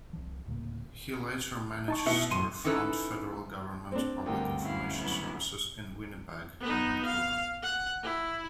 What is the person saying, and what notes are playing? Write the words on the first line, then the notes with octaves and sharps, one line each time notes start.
He later managed store-front Federal government public information services in Winnipeg and Vancouver.
C2 F3
D2 A2 C#3 A#3
D#4 A5 C#6
B2 E4 C#7
F#2 C6 D#7
C#4 D#4 E4 A4 B4
C4 D4
D2 G2 A#4 G5
C#4 E4 F5
F#3 B3 E4
B3 D#4
F5
F#5
E4